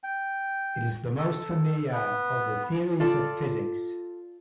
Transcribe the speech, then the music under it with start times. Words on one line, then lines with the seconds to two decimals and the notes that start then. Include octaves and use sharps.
It is the most familiar of the theories of physics.
0.04 G5
1.18 A4
1.92 B3
3.00 F4 A4 D5